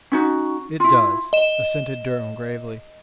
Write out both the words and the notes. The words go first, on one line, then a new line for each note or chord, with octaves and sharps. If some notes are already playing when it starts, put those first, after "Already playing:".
"It does," assented Durham gravely.
C#4 D#4 F#4
E4 F4
D#5 E7